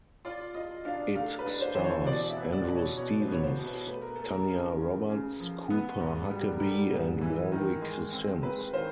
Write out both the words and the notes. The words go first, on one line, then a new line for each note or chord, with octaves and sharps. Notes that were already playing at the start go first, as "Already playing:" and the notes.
It stars Andrew Stevens, Tanya Roberts, Cooper Huckabee, and Warwick Sims.
F4 D5
F4 D#5
D4 F5
A3 F5
B4
D4
C5
E3 C5
C#5
B2 D5
E5
B3
D5
B2
C#5
B2 C#5
C5
B3 C#5
C5
B2
B4
A3 B4
A#4
A3 A4
A#4
C#3
C#3
C#3
F3
B3
G#2
G3
A#4
G3 A4
G#2
E3
D#3
G#3
C4
G#3 B4
D#3 C5